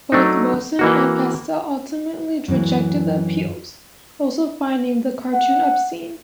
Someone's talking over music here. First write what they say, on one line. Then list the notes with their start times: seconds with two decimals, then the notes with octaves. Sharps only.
Both Wilson and Pastel ultimately rejected the appeals, also finding the cartoon obscene.
0.12 F#3 A3 D4 D#4
0.79 E3 A#3 F#4
2.48 F#2 E3
5.33 F#5